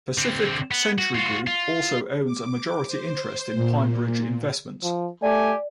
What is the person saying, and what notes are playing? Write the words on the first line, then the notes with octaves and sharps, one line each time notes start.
Pacific Century Group also owns a majority interest in PineBridge Investments.
D3 C4
B3
F#4
F4 F#4
F4
D6
C5
A#2
F3
A3 G4 D5 G#5